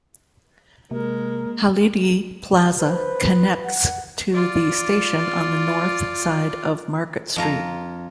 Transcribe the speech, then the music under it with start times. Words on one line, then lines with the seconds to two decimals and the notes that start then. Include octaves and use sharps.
Hallidie Plaza connects to the station on the north side of Market Street.
0.91 C3 G#3 A#3 A#4
2.80 B4 C5
3.64 F#5
4.32 F4 D5
7.36 F2 F4 A#5